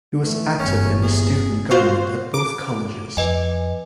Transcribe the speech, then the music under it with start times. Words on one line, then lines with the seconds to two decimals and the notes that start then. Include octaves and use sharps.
He was active in the student government at both colleges.
0.21 E3 A3
0.59 G1 E2 C#4
1.03 G#4
1.71 F4 F#4 C5 F5 C#6
2.34 D6
3.17 F2 B4 D#5 G#5